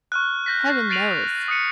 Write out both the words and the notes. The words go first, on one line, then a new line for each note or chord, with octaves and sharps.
"Heaven knows...."
C#6 F6 F#6
G6 A#6 B6
C7
A6 C7 D7 D#7 F7 F#7
D#6 F#6 C#7 D#7